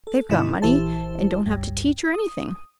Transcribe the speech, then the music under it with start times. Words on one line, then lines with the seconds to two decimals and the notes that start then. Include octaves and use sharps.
They've got money, and don't have to teach or anything.
0.07 A4
0.29 G#2 C3 D#3 E4 D#5 B5
0.62 A#1 E3 E4 G4 C5 A5
1.46 G1 C#2 G2
2.14 D#6